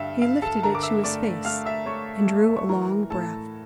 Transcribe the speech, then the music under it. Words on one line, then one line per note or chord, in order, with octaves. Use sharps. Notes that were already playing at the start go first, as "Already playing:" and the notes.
He lifted it to his face, and drew a long breath.
Already playing: G2 D3 E5 F5 G5
G2 F5
A4 A5
D3 A#4 A#5
D6
E5 E6
A3 D5 D6
A3 F5 F6
E5 E6
A3 C#5 C#6
A3
C#6
E3 A#4 A#5
A2 A4 A5